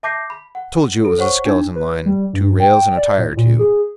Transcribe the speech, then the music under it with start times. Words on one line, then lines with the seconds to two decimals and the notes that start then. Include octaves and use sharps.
I told you it was a skeleton line, two rails and a tie or two.
0.03 E5 A5 D6 G6 A#6 C7
0.30 B5
0.55 F#5
1.05 A4
1.18 C5 C#5 F#5 C#6
1.45 D4 D#4
1.75 B4
2.06 G3
2.33 G2
2.60 G5
2.97 D5
3.18 A2
3.37 A#2
3.59 G#4